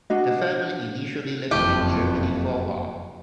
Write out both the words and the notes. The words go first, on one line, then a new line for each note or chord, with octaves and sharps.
The family initially lived in Germany for a while.
D4 F#4 D#5
F#1 F2 A3 G4